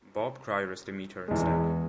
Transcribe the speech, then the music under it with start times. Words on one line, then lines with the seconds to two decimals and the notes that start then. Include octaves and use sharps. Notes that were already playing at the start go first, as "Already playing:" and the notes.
Bob Cryer is to meet her instead.
1.28 E2 G#3